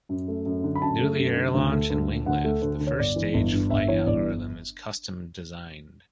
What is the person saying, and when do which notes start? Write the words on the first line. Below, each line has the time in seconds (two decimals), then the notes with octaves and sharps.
Due to the air launch and wing lift, the first-stage flight algorithm is custom-designed.
0.09 F#2
0.28 A3
0.46 F#2
0.64 D3
0.75 B5
0.82 F#2 A5
1.01 A3
1.19 F#2
1.37 D3
1.54 D2
1.72 A3
1.90 D2
2.08 D3
2.26 D2 F#5
2.45 A3
2.62 D2
2.80 D3
2.87 C#5
2.99 G1 D5
3.16 E3
3.34 G1
3.53 G2
3.70 G1 E5
3.88 E3 C#5
4.06 G1 D5